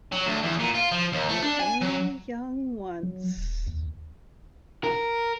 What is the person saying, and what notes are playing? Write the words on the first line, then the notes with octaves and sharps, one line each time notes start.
You're Only Young Once...
F#3
D2
E2
A#2
F4
F3
D#2
A3
D4
G#5
F#3
F#3
D#1
D#2
A#4